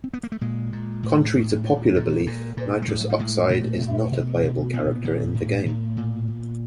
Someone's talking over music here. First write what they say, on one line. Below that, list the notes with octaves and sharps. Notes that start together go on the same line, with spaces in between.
Contrary to popular belief, Nitros Oxide is not a playable character in the game.
C4
B3
A#3
A3
A#2 G#3
A#2
A2
A2
A#2
A#2
A#2
A#2
G#3
A2 G3
F#3
G3
A2 G#3
A#2 A3
A#2
B2
B2
A#2 B3
A#2
A2
A2
A#2
A#2